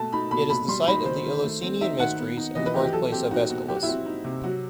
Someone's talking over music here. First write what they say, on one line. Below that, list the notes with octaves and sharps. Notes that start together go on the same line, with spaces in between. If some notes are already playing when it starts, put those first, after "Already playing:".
It is the site of the Eleusinian Mysteries and the birthplace of Aeschylus.
Already playing: B2 A3 A5
D#4 B5
B2 B5
B2 B5
G3 C6
D#4 B5
D#3 C5
D#3
A3
C4
D#4 E5
D#3 F#5
B3
D#4
E3 D#5
B4
E3 G4
G4
F#3 A4
C4 G4
D#4 F#4
B2 F#4
F#3 G4
F#4
E4
C4 F#4
D#4
C3
F#3 F#4